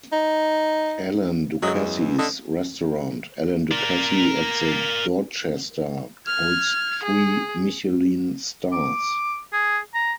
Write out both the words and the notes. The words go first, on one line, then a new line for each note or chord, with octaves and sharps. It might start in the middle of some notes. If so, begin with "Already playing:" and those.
Alain Ducasse's restaurant, "Alain Ducasse at the Dorchester", holds three Michelin stars.
D#4
F#2 F#3 G#3 D#5
E2
D3 D#5
A#4 D5
F6 G#6
G#4
D6
G#4
A#5